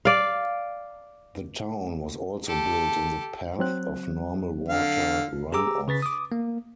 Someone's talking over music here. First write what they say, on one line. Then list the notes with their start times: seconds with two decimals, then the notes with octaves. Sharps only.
The town was also built in the path of normal water runoff.
0.05 D5 F5
2.47 G4 A4
3.59 F#3 C4 F#6
4.68 D3 F5
5.52 G4 G#4 A#5 D6 E6
5.88 C#3 B4 A6 B6
6.02 D6 D#6
6.32 A#3